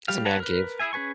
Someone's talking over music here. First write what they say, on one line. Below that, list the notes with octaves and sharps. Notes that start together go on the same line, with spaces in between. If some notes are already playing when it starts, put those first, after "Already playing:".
It's a man cave.
G3 G4 F5
B4 C#5 F#5 A5 A#5
A#4 B4
E4 G#4 E5 G#5
C#4 G#4 B4 G#5 C#6